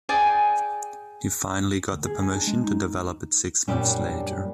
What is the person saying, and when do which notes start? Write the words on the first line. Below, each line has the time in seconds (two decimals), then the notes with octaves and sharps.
He finally got the permission to develop it six months later.
0.09 G#4 D5 G5 G#5
1.92 D2
2.07 G#4
2.23 G#5
2.36 D4
2.47 G#3
2.64 D#4
3.68 F#2 A#2 G3 D4 D5